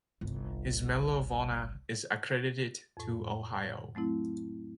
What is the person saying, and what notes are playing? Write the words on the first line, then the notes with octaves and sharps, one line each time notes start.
His Medal of Honor is accredited to Ohio.
G1 C2
F2 A2
F#3 A3 C4 E4